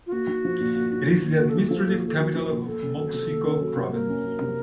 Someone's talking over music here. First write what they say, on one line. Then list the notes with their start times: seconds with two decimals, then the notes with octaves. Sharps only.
It is the administrative capital of Moxico Province.
0.06 F4
0.12 A#3 F#4
0.28 D#4
0.45 F3
0.60 A#2
0.76 A#3
0.92 D#4
1.07 F3
1.24 A#2
1.39 A#3 F#4
1.49 A4
1.56 D#4 F#4
1.69 F3 A4
1.78 F#4
1.87 A#2 A4
1.98 F#4
2.03 A#3 A4
2.16 D#4 F#4
2.35 F3
2.51 A#2
2.67 A#3 A4
2.82 C#4
2.98 F#3
3.14 C3
3.30 A#3
3.45 C#4
3.61 F#3
3.76 C3
3.92 A#3 A#4
4.09 C#4
4.24 F#3
4.41 C3